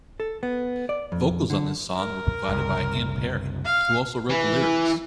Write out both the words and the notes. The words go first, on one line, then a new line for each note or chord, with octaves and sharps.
Vocals on this song were provided by Ian Parry, who also wrote the lyrics.
A4
B3
D5
F2
D3
A#4
F#1 C2
F5
E3